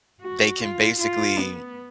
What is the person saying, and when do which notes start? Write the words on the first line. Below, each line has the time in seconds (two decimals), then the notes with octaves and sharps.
they can basically,
0.21 F#4
0.60 F4
0.99 F4
1.38 B3